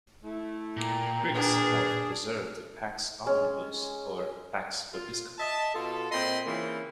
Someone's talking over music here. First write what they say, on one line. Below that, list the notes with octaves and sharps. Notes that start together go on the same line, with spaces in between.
Greeks have preserved the "Pax omnibus" or "Pax vobiscum".
A3 E4
A#2 G5 A#5
D#2 D4 G#4 A#4 B4
G#3 C#4
F4
D#5 E5 A5
B2 F4 A4
A#2 C4 D#5 B5 C6
C#3 E3 A#3 C4 F4